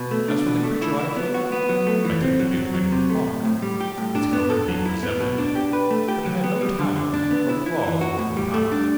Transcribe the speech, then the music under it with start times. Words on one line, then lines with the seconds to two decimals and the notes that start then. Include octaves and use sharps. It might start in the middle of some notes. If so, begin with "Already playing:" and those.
As for the creature I killed, I took it to be a kind of hawk, its color and beak resembling it, but it had no talons or claws more than common.
Already playing: B2
0.11 A3
0.28 D4
0.47 B2
0.64 A3
0.82 E4
0.99 E4
1.16 B3
1.34 F#4
1.52 B3
1.69 F#3
1.87 A3
2.05 E3
2.22 C4
2.40 F#3
2.57 F#3
2.74 F#3
2.92 C3
3.10 A3
3.27 A2
3.45 A2
3.62 G3
3.80 G4
3.98 A2
4.15 D4
4.33 B3
4.50 A4
4.68 F#3
4.86 E4
5.03 B3
5.20 B2
5.38 D4
5.55 G4
5.73 B4
5.91 A3
6.08 G4
6.26 F#3
6.44 B3
6.61 G3
6.79 D3
6.96 D3
7.14 D4
7.31 B3
7.49 E4
7.66 E4
7.84 E3
8.01 F#4
8.19 A2
8.37 G3
8.54 A3
8.72 D4